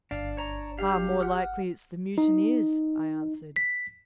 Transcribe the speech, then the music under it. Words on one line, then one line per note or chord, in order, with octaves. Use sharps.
"Far more likely it's the mutineers," I answered.
G1 D4 F5
C#5 A#5
G3 G4 F5
F#5 F6
D#4
B6